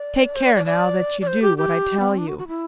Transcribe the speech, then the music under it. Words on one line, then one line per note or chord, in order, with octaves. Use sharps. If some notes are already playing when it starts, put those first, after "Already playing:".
Take care now that you do what I tell you.
Already playing: D5
C5
D5
D5
D5
D5
C5
G4
G4
B3
C4
D4
F#4
F#4
E4